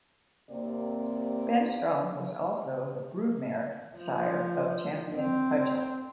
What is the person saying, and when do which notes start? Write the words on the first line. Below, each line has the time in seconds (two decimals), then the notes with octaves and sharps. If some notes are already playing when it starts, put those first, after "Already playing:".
Ben Strome was also the broodmare sire of champion Cudgel.
0.50 D#2 C3 A#3 C4 D5
3.96 F3
5.15 C4